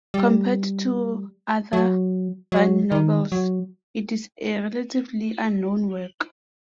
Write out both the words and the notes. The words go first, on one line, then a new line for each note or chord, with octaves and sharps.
Compared to other Verne novels, it is a relatively unknown work.
G3
F#3
F#3
D#3
F#3